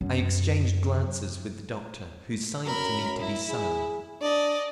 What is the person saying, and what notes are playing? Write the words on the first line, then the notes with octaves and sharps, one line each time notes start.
I exchanged glances with the doctor, who signed to me to be silent.
F#2
F#2 A#4 B5
E4
G#4
D4 D5 D#5